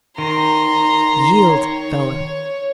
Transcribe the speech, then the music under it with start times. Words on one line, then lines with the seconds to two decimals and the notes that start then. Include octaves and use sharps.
"Yield, fellow!"
0.18 D#3 A#5 C6
1.51 C#5